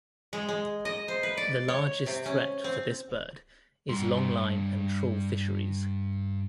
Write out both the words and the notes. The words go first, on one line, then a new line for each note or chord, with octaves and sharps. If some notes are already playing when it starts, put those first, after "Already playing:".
The largest threat for this bird is longline and trawl fisheries.
G#3
G#3
D#5
C5
B4
D5
C#5
C3
C#4
C4
G2 C6